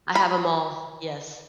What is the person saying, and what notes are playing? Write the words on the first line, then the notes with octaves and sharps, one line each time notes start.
I have 'em all. Yes.
B5